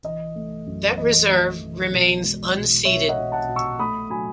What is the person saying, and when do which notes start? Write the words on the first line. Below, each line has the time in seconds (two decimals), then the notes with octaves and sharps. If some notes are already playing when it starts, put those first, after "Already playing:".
That reserve remains unceded.
0.04 E3 D#5
0.35 A3
0.66 F#2
0.98 E3 D#5
1.29 A3
1.61 E3
1.91 B2
2.23 G#3
2.54 B2
2.85 B2 C#5 E5
3.09 D#5 F#5
3.17 B2
3.32 F#5 A5
3.48 B2
3.56 C#6 E6
3.79 A3 B5 D#6
4.10 F#3 G#5 B5